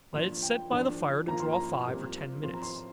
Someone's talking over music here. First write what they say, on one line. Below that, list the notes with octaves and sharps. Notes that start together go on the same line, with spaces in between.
Let it set by the fire to draw five or ten minutes.
A#2 F3 A#3 D4 F4 C6
G5
A#2 F3 D4 F4
F3 A#3 F4 A#5
C6
A#5
A#2 G3 C4
F3 C4 F4 C6
A#5
C6